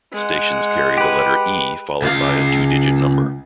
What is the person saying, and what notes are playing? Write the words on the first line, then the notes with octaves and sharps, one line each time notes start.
Stations carry the letter "E" followed by a two-digit number.
G#3 F#5
G4 B4
C#2 F5